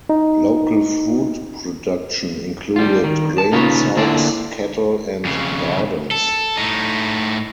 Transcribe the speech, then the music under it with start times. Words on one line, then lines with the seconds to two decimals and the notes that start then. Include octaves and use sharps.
Local food production included grains, hogs, cattle, and gardens.
0.09 D#4
2.76 G3 F4
3.04 D#3
3.38 A5
3.52 C#3 D#4 F4 B4 C#5
3.96 D3 A#3 E4 A4 C5 D5
5.25 F2 C#3
6.11 A4
6.57 A2 D#4